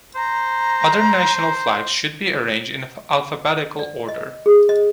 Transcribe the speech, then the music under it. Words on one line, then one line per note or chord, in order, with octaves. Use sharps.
Other national flags should be arranged in alphabetical order.
C5 A#5
D5
D#5
G#4
D#5